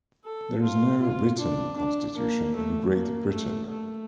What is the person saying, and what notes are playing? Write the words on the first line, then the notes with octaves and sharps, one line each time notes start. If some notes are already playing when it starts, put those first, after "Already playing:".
There is no written constitution in Great Britain.
A4
F4
F4
D4
D4
A#3
A3
A#3
A3
A3